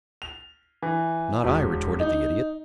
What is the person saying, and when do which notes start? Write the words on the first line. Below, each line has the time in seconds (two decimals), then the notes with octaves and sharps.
"Not I," retorted the Idiot.
0.22 F7
0.82 E3
1.44 E1
2.00 D#4